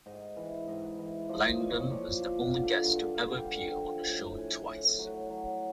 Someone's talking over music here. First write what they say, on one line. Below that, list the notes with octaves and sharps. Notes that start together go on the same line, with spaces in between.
Langdon was the only guest to ever appear on the show twice.
G#2 D#5
E3
G#2 D#5
E3
F3 D5
D#5
A#2
C#5
F3 D5
F3
D3
G2
D3 F5
G5
D3 G5
F#5
G5
F3
A2
A2 G#5
A2
F#3
F#3